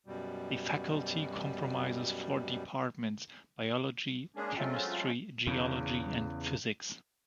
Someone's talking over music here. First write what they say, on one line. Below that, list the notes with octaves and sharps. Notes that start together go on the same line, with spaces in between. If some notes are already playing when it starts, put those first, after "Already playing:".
The faculty comprises four departments: Biology, Chemistry, Geology, and Physics.
F#2 B2 G3
G#3 A#3 C#4 D4 G#4
F#3 G#3 A3 C4 C#4 F4
E2 C#3